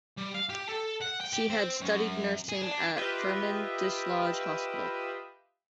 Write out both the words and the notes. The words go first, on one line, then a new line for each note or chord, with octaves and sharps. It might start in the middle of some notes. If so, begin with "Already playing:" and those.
She had studied nursing at Firmin Desloge Hospital.
G3
F5
G4
A4
F#5
G5
G4
C4
F#2
G#4
D4
F4 G4 B4 D#5 E5